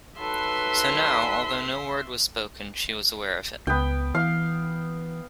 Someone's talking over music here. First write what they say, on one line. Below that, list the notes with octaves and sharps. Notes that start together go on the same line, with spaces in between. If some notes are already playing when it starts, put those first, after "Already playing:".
So now, although no word was spoken, she was aware of it.
F#3 D#4 A4 B4 E5 C6
C#2 B3 G5
E3 F5